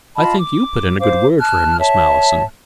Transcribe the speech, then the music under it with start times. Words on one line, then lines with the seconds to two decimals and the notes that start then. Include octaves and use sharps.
"I think you put in a good word for him, Miss Malleson."
0.17 F4 D#5 A5 B5
0.36 D6
0.99 C5 F5 D6
1.39 A5 F6 F#6
1.79 C#5 E5 A5